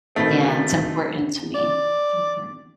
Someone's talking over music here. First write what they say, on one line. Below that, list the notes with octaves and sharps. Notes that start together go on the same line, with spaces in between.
Yeah, it's important to me, it's important.
B2 D#3 A3 C4
D5